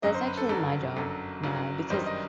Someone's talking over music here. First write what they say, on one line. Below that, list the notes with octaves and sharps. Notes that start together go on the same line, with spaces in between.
that's actually my job now because
G1 F#2 F#3 D#5
C5
B4
A4
G1 F#2 F#3 A4
G1 F#2 F#3 A4
G1 F#2 F#3
G1 F#2 D#3 G3 D#4 C5
D#5